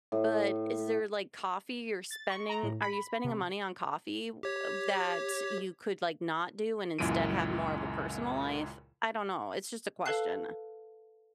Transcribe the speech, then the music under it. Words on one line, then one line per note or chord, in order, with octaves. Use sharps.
but is there, like, coffee you're spending are you spending a money on coffee of that you could, like, not do and instead have more of a personal life? I don't know, it's just a question,
A2
A6
C#6
A#5
A2
B5
C3
G4 C#5
C#2 F#2 A#2 E3 D7 D#7
A4 B4 F5 A5 F#6 C7